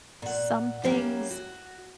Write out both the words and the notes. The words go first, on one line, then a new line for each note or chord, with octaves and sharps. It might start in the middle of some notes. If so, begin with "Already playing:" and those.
some things
A#2 F#5
F#3 A#3 C#4 E4 G4
F#4